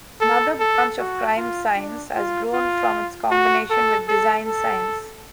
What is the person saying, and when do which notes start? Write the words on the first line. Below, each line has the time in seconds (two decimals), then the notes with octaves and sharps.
Another branch of crime science has grown from its combination with design science.
0.21 A4
0.60 A4
0.99 F#4
1.38 F4
1.76 D4
2.15 F4
2.53 F4
3.31 F#4
3.70 A4
4.08 A4
4.47 A4